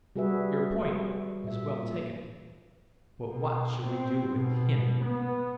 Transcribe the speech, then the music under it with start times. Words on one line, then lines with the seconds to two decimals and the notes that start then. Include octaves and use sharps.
"Your point is well taken; but what shall we do with him?"
0.16 G3 F#4 G#4 B4 E5
1.44 A#2 E5
3.30 B2
3.84 C4
4.32 B2
5.04 B3